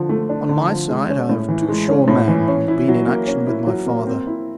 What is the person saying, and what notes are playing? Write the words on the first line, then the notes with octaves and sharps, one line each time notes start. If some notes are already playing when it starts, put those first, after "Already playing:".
On my side I have two sure men, who have been in action with my father.
Already playing: D3 F3
A3
D4
D3
F3
G#3
C#4
A2
E3
G#3
C#4
A2
E3
C#4
E4
F#3
A#3
C#4
E4
F#3
A#3
C4
E4